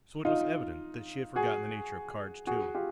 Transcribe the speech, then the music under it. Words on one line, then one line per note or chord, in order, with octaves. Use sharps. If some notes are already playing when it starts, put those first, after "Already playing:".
So it was evident that she had forgotten the nature of cards too.
D#4 F4
F#4 G#4
F#4 G#4
F4 G4